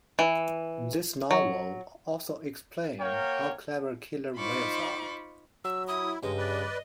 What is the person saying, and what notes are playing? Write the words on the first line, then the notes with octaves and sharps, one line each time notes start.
This novel also explain how clever killer whales are.
E3
F#3
A#3 A#4 C#5 F#5 G5
D#4 F4 C5 B5 C#6 D6
F#3 E6
E4 D#6
G2 C#3 G#3 D#5
B4 D5